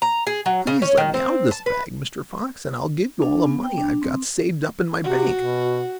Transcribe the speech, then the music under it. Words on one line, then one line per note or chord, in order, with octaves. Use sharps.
Please let me out of this bag, Mr. Fox, and I'll give you all the money I've got saved up in my bank!
A#5
G#4
F#3
C#3
C#4
D#3
C4
A5
B4
D4
B3
G5
D4
C4
C3 F#4
B2